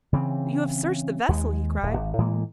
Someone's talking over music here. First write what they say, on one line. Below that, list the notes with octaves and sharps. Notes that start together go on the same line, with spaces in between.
"But you have searched the vessel?" he cried.
C#3 E3 C4
D#2 G#3
D1
G#1
A2 E3 G#3 A#3